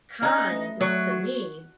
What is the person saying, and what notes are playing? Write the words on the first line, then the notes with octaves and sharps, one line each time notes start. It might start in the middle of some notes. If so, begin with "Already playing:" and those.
kind to me,
C#4 D#4
A3
F#3 A3
F#4